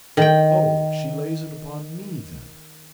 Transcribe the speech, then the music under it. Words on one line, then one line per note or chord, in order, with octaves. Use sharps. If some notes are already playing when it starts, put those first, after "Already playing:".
'Oh!--She lays it upon me, then?'
D#3 G5